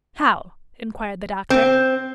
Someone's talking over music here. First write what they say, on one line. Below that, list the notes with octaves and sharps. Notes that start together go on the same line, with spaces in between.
'How?' inquired the doctor.
C4